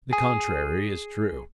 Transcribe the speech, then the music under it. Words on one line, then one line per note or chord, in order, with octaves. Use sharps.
The contrary is true.
G#4